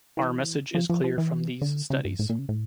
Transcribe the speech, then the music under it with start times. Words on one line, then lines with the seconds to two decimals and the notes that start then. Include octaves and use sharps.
One message is clear from these studies.
0.17 E3
0.75 F3
0.90 F3
1.04 F3
1.18 E3
1.62 D3
1.90 C#3
2.05 G2
2.19 A2
2.29 A#2
2.39 C#3
2.49 A2